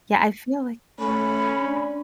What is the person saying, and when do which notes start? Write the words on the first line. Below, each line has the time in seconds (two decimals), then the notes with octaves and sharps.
Yeah, I feel like
0.99 A3 C#4 B5
1.61 D4